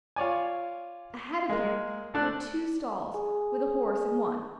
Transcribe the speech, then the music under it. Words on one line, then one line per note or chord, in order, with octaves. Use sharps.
Ahead of him were two stalls, with a horse in one.
F4 C#5 D5 G#5
G#3 A#3
A3 D4 F#6
G#4